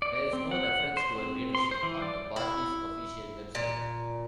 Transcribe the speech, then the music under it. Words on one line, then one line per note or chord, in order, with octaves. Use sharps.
There is no reference to her leadership on the party's official website.
D5
C4
F#5
C5
C4
C6
C5
E3
D5
E4
A#2